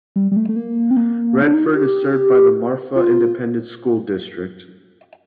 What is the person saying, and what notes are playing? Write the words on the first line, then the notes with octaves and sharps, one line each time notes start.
Redford is served by the Marfa Independent School District.
G3
G3
A3
A3
A#3
C4
A#3
D4
D#4
F4
G4
F4